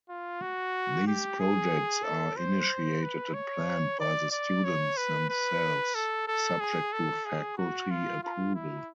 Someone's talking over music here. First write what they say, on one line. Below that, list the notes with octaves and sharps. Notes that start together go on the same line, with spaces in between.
These projects are initiated and planned by the students themselves, subject to faculty approval.
F4
F#4
G4
G#4
A4
C5
B4
C#5
D5
D5
C#5
B4
B4
A4
A4
G#4
A4
G#4
F#4
F4
F4
E4